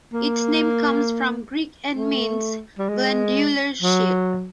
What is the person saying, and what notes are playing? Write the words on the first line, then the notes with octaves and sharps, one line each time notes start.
Its name comes from Greek and means "glandular shield".
A#3
A3
G3
G#3
F#3